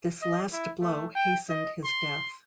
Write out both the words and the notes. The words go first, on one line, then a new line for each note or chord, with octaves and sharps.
This last blow hastened his death.
D#5
E4
A3
G5
D#5
C6